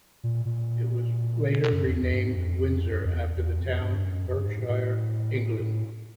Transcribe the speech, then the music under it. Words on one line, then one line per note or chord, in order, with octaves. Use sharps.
It was later renamed Windsor, after the town in Berkshire, England.
A#2
A#2
B2
F#2
E2
E2
G2
G#2
F2
F2
F#2
F2
E2
E2
F2
G2
F#2
F2
G2
G#2
A2
A2
A2